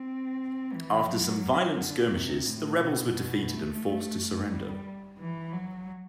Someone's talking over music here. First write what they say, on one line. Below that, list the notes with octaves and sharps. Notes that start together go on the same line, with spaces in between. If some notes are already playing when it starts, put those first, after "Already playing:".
After some violent skirmishes the rebels were defeated and forced to surrender.
Already playing: C4
E3
F#3
D3
C3
A2
B2
A3
G3
E3
F#3